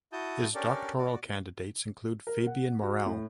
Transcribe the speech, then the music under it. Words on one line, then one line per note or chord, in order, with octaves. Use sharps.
His doctoral candidates include Fabien Morel.
E4 F#4 A5 D#6 G6
C#4 D4 G4 A4 A#4 D5
F#4 D5
A#4
F#5
F#4
A2